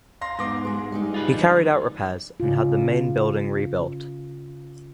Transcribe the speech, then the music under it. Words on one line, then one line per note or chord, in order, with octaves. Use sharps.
He carried out repairs and had the main building rebuilt.
F5 C6 A#6
G#2 B3 C6 D6 A#6
G#3 G#4
G3 G#3 D#4
F4 G#4 B4
F2 D3
C#3 F4